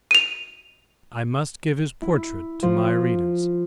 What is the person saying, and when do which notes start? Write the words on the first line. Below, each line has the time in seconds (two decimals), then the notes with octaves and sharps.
I must give his portrait to my readers.
0.11 D#7 F7
2.02 E4
2.63 F3